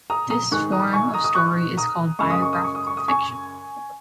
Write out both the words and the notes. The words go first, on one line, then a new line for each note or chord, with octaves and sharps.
This form of story is called biographical fiction.
A#5 D#6
A#5 D#6
G#2 D#3 G#3 C#6 F#6
A#5 D#6
G#5 C#6
A#5 D#6
D#6
C#6 F#6
A#5 D#6
F#2 C#3 G#3 C#6
D#6
C#6
D#6
C#6
D#6
C#6
D#6
G#5 C#6